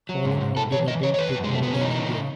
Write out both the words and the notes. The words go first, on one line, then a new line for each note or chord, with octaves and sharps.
Hauling out the rubble took more than a year.
F#3
G#2
G#2
G#2 A4
E3 C#5
E3 D#5
E3 C#5
C#5
F#2 B4
F#2
G#3
C#3 A3
F#2 B3
C#4
E3 D#4
C#3